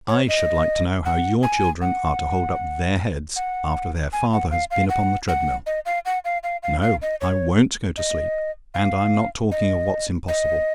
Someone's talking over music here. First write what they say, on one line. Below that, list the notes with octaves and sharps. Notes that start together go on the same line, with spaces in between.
I should like to know how your children are to hold up their heads, after their father has been upon the treadmill?--No; I WON'T go to sleep. And I'm not talking of what's impossible.
C#5
D#5
F#5
G#5
F#5
F#5
G#5
F#5
F5
F5
F#5
F#5
D#5
F5
F#5
F5
F5
F5
F5
D#5
C#5
D#5
F5
D#5
D#5